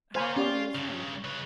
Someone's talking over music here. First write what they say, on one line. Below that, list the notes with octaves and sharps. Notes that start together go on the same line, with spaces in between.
'How long do you think?'
C5 C#5 F5 G#5 B5
C#4 F4 G4 D5
G2 C#3
C#3 B4